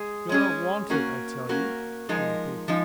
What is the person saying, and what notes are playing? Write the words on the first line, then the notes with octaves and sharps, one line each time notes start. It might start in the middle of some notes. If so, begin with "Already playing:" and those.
"You are not wanted, I tell you," he repeated.
Already playing: G#3 G#4
G#3 C#4 G#4
A#3 C#4 F#4 A#4
A#3 C#4 F#4 A#4
F3 G#3 D#4 A#4
F3 G#3 D#4